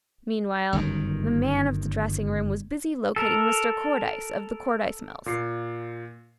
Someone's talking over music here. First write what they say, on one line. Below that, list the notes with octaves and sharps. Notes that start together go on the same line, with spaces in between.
Meanwhile the man of the dressing room was busy locating Mr. Cordyce of the Cordyce Mills.
G1 F#2 D#3
A4 A#4
A#2 C7